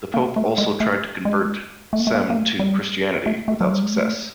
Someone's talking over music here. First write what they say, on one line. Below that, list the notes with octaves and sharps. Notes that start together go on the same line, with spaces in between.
The Pope also tried to convert Cem to Christianity, without success.
A#3
A3
G#3
A3
G#3
A3
A#3
A3
A#3
A#3
A3
G3
A3
A3
F#3
G3
G#3
A3